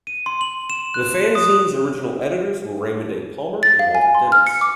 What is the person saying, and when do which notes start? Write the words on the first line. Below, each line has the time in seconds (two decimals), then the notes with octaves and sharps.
The fanzine's original editors were Raymond A. Palmer and Walter Dennis.
0.07 D#7
0.26 C6
0.41 F#7
0.70 E7
0.94 F#6
1.35 D#6
3.63 A6
3.79 F5
3.95 G#5
4.15 C6
4.32 F6
4.47 C#7
4.61 D6